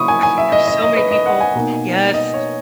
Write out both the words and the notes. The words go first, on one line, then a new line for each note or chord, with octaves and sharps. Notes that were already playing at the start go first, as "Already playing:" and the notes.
okay I know so many people yes.
Already playing: C#3 F#3 A#3 E4 B5 C#6 D#6
G#5
G#5
E5
D#5
D#5
D#5
B4
D#5
F#5
G#5
B2 A#3 D#4
D#5
C#5